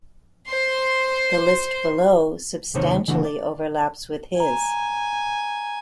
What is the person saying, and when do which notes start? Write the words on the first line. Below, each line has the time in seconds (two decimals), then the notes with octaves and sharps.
The list below substantially overlaps with his.
0.48 C5 C6
2.75 D#2 C3 G#3 D#4 C5 C#5
3.08 C#3 E3 A3 A#3 D4 F#4
3.25 D5
4.40 G#5 A#5